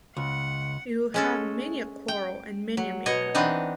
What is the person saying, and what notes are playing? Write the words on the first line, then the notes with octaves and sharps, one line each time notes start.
You will have many a quarrel and many a makeup.
C#2 F#5
G#3 C#4 A4
G5
F#3
B2 C#5 D#5
E3 B3 C4 D4 D#4